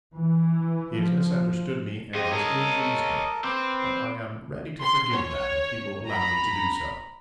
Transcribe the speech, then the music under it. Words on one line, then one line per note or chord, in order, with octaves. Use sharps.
He has misunderstood me and has ill-used me. But I am ready to forgive that, if he will allow me to do so.
E3
F3
F2 G4 G#4 C5 D#5
A4 A#4 C#5 D#5
C4 B4 D6
C6
C#5
A#5 B5